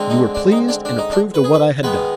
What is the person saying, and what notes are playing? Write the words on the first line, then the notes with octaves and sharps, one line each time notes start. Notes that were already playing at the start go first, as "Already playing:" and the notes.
You were pleased and approved of what I had done.
Already playing: D3 G#3 C4
D#4
D4
D#4
D4
D4
D#4
D4
B4
G#4
B4
D#3 G#3 B3 B4